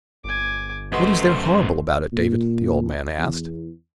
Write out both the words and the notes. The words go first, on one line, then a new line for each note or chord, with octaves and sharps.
"What is there horrible about it, David?" the old man asked.
G1 G#5 D6
F#2 A3 F#4 B4 C5 D#5 C6
A#2
E2